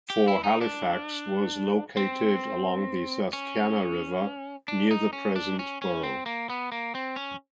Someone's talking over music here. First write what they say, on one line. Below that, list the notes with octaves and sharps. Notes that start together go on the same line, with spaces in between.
Fort Halifax was located along the Susquehanna River near the present borough.
G4
E4
D#4
D4
C4
C#4
D4
D#4
C#4
D4
C#4
C#4
C4
A#3
B3
A#3
C4
C#4